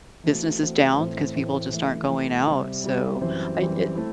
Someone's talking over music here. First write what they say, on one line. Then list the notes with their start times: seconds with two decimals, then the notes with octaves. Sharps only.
business is down 'cause people just aren't going out, so, I it
0.24 E3 A3 C4 F#4
0.61 E3 A3 C4 F#4
0.98 A2 E3 A3 C4
1.35 A2 E3 A3 C4
1.72 E3 A3 E4
2.10 E3 A3 E4
2.47 C3 G3 C4
2.84 C3 G3 C4
3.21 F#2 E3 G3 C4
3.58 F#2 E3 G3 C4
3.96 A3 C4 E4